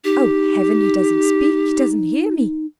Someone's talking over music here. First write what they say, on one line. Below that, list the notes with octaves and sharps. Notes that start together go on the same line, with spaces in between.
Oh, Heaven! he doesn't speak--he doesn't hear me!
D#4 G4